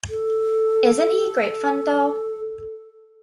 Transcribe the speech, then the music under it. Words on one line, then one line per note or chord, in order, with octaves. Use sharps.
Isn't he great fun, though?
A4